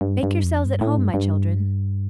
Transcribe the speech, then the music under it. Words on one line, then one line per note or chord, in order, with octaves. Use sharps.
Make yourselves at home, my children.'
G2
G2
F2
G2
A2
G2
G2